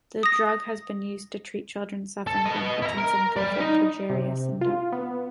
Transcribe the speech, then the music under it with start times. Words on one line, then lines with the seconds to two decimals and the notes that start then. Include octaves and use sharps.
The drug has been used to treat children suffering from Hutchinson-Gilford progeria syndrome.
0.23 D#6 A#6
2.27 A4
2.45 B3 D#5
2.82 E4 A#5
2.98 A#4
3.37 D5 B5
3.60 D#4
4.10 C3
4.61 F4
4.92 B3